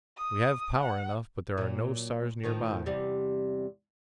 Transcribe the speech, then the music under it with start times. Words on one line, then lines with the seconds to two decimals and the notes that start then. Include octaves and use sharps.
We have power enough, but there are no stars nearby.
0.17 D#6
0.79 F#5
1.58 A#2 F#3
2.44 A2 D#3 F3
2.86 E2 C3 G3